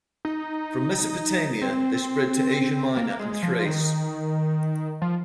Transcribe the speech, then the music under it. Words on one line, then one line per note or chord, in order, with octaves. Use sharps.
From Mesopotamia they spread to Asia Minor and Thrace.
D#4
C4
A#3
G#3
F3
D#3
F3